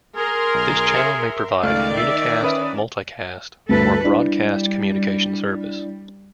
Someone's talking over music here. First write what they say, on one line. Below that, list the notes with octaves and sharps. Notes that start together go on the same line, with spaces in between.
This channel may provide unicast, multicast or broadcast communication service.
G#4 A#4 C6
B1
E5 C#7 E7
C#2 D#3 A3 D5 F5
E5 C7
C#4 B4 E5 D#6
D2 G2 A4 B4
G3 D4 E4